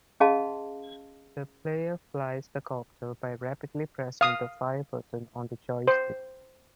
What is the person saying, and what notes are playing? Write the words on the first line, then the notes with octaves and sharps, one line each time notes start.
The player flies the copter by rapidly pressing the fire button on the joystick.
C#4 G#4 D#5 F5 A5 C6
F5 D#6
C5